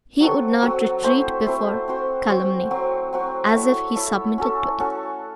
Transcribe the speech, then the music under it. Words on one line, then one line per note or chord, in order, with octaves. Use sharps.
He would not retreat before calumny, as if he submitted to it.
F#3 C4 F#4 A4
F#3 C4 F#4 A4
A3 C4 E4 C5
A3 C4 E4 C5
C4 F#4 C5
C4 F#4 C5
F#3 C4 F#4
F#3 C4 F#4
E4 A4 C#5 E5
E4 A4 C#5 E5
C#4 F#4 A4
C#4 F#4 A4